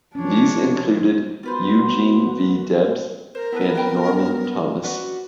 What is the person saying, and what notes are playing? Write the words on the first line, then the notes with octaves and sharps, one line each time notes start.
These included Eugene V. Debs and Norman Thomas.
F3 C#4 D4 C#5
B3 F4 F#4 B4 C5
A#4 C5
B3 E4 A4 B4
B4 G5 B5
C#4 F#4 B4 D5